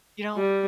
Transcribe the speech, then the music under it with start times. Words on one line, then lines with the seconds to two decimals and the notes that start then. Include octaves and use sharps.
you don't
0.37 G3